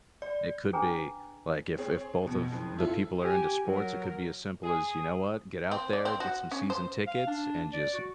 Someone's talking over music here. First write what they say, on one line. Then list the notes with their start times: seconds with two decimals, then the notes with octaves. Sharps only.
it could be, like if if both of the people are into sports, it could be as simple as, "You know what, get out there, get some season tickets and just
0.22 D5
0.73 D4 G#4 B4 G5 G#5 A#5
1.78 C4 G#4 C#5
2.23 F2 B2
2.52 F#1 F2
2.78 E4 F4 A4
3.21 G4 G#5
3.66 F#3 A#4
4.64 G#4
5.71 C4
5.93 D5
6.05 C4
6.20 F#4
6.51 C#4
6.70 C5
7.07 F5
7.27 D4
7.73 D5
7.94 F#4